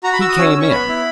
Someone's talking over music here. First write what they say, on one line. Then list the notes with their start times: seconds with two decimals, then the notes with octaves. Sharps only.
He came in.
0.04 F#4 A#5
0.13 B5
0.21 F#4 E6
0.29 D#6
0.37 C#4 E6
0.49 E6
0.54 C#4
0.60 C#6
0.71 B3 B5
0.89 E4